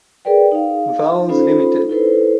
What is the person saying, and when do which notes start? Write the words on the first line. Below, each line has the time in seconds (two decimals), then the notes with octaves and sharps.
Vowles Ltd.
0.25 G#4 A#4 B4 D5 G5
0.52 D#4 F5
1.29 C#4 D#4 F4 A4 C5 B5
1.89 E4 A4 B4 C5